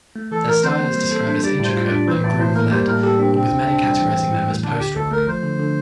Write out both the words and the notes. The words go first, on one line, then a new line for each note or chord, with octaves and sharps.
Their style is described as intricate and groove-led with many categorizing them as post-rock.
A3
E3 A4
E3 A#4
C4 C5
A#3
G3
A4
D4
G3 D5
A2
C5
F4
D5
D4
E3 C5
A2 D5
A2 C5
A#3 A#4
G3 C5
A2 A#4
G4 A4
C4 D4
C3 C4
D2
D4
G3
E3
A2
E4
A3
D3 D4
D2 G4
D2 A4
A3 A#4
F3 C5
D3
D3